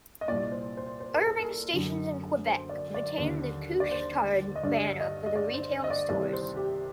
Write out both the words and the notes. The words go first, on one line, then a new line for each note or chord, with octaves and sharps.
Irving stations in Quebec retain the "Couche-Tard" banner for the retail stores.
D#5
C2 A#2 D5
C5
C5
C5
A#4
A4
A#4
F#2 D3
C5
D5
D5
D#2 D3
D5
C5
D#5
G2 D3 D5
D#5
D#5
D5
C5
C5
D#5
D5
C2 C3 D#3 D5
C5
G4